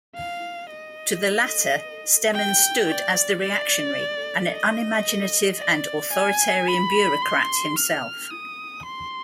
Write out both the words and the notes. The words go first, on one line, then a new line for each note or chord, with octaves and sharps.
To the latter Stemann stood as the reactionary, an unimaginative and authoritarian bureaucrat himself.
F5
D#5
G5
D5
D5
D#5
D5
G#5
B5
C6
F6
D#6
C6